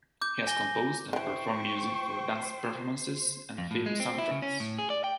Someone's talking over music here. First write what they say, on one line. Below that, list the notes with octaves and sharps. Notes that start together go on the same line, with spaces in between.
He has composed and performed music for dance performances and film soundtracks.
D6 G6
G#5 A#6 G7
D3 E3 C5 G5 C#6
F2
A2
G#3
C4
E4
C#3
C#4
A2
G#4
D5
G5